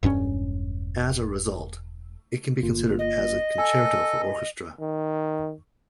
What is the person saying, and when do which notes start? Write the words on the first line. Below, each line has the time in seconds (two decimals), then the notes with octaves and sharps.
As a result, it can be considered as a concerto for orchestra.
0.03 E1 G2 C4 C#4
2.63 G1 A#3 F4
2.99 D#5
3.58 A4 G#5
4.80 D#3